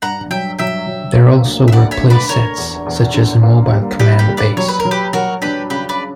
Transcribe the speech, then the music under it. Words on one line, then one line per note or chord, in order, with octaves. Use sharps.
There also were play sets such as a mobile command base.
G2 F#5 A#5
F#3 E5 G5
F#3 E5 G5
F#3
A#3
D2
E5
D2 D5 F#5
C#5 E5
D3
B4 D5
D3 A#4 C#5
E2
E2
D3
A#3
G3
G3 G4 B4
G4 B4
G3
B4 D5
F#3 C#5
B4
A#4
F#3
G4 B4
F#3 F#4 A#4
D4 G4 B4
C#3 G4 B4
B4 D5